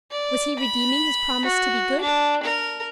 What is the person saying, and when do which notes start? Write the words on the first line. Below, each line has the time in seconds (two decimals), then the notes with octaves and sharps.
Was he redeeming his promise to be good?
0.12 D5
0.59 B5
1.45 F#4
2.00 D4
2.43 A#4